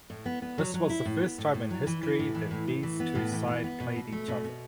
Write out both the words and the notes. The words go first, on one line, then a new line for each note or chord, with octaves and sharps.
This was the first time in history that these two side played each other.
A2
B3
B3
F#3
F#3
E4
A2
B3
A2
A2
F#3
E3
E3
A2
E3
A2
A2
E3
B3
A2
E3
B3
B3
B2
B2
A3
B2
B2